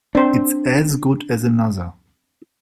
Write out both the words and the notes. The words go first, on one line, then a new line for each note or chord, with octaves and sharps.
It's as good as another.
C4 D4 C5